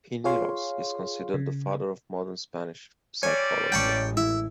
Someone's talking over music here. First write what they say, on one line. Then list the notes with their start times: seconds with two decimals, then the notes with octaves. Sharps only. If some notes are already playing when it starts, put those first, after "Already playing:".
Pinillos is considered the father of modern Spanish psychology.
0.24 F4 G#4 C#5 F5 C6
1.34 C#3
3.23 G3 C#5 D5 G#5
3.72 A1 A2 G#3 G5 A5 C#6
4.17 E4 E5